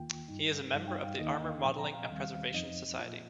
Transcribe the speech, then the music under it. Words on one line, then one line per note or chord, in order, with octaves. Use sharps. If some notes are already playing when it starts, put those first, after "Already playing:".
He is a member of the Armor Modeling and Preservation Society.
Already playing: D#2 D#3 A#3 F4 G5
G2 G3 D#4
G2 G3 D#4 F5
G5
F5
D#2 D#3 A#3 D#4 D#5
G5
F5
A#2 F3 C4 G5
A#5
F5
D#5
D#2 D#3 G3 C4 F5
F5
F2 F3 C4 D#4 D#5
A#2 A#3 F4